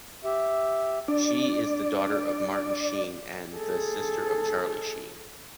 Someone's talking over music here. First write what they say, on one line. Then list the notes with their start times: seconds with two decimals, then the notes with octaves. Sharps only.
She is the daughter of Martin Sheen and the sister of Charlie Sheen.
0.24 G4 E5
1.08 D4 D5
3.53 G#4 A4